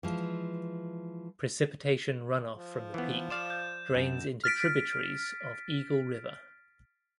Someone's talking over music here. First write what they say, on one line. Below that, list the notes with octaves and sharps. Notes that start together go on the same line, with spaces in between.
Precipitation runoff from the peak drains into tributaries of Eagle River.
E3 F3 G#3
F3
E3 B3
C5 D5 F5 A6 E7
G6
F#2
F6 A6 B6 D7